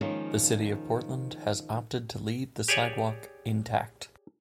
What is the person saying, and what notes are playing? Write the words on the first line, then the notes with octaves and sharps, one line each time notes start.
The City of Portland has opted to leave the sidewalk intact.
D#3 F3 G#3 A#3 C#4
G4 G#4 C#5 D5